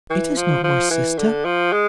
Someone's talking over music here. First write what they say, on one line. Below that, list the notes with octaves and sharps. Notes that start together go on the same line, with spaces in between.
"It is not my sister."
E3
F3
F3
E3
D3
F3
G#3